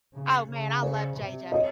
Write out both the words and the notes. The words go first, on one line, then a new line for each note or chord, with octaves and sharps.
Oh, man, I love JJ.
C#3
C#3
C5 D5
C3
C#5 D#5